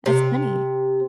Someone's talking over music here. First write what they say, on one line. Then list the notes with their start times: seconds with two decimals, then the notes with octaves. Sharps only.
That's funny.
0.06 C3